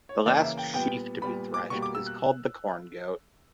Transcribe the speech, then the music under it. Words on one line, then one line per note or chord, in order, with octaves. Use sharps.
The last sheaf to be threshed is called the Corn Goat.
C#5
C#3 E3 A#3 D5
E5
G5
A#2 G3 B3 G5
A#2 G3 B3 B5
D6
B2 G3 A#3 C#6
D6
E6
F#6